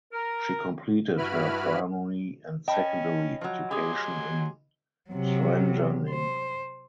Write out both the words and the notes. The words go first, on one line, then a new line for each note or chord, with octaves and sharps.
She completed her primary and secondary education in Zrenjanin.
A#4
G2 E4 F#4 B4 B5 F6
C#4 D#5 G5 A5 B5
F3 F#3
F#3 G4 G#4 G#5 C6
C3 F#3
C5